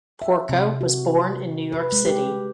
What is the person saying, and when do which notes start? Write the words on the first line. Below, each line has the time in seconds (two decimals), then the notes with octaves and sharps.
Porco was born in New York City.
0.22 E5
0.49 C3
0.81 F#4
1.72 B4
1.92 G#3
2.06 G4